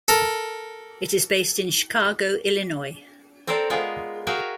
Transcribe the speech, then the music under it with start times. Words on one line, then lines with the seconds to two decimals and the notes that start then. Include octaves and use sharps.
It is based in Chicago, Illinois.
0.08 A4 A#4
3.47 C4 A4 A#4 C5 D5
3.70 G#3 B3 F4 G#4 A#4
4.27 F#4 G#4 A#4 E5 F5 G5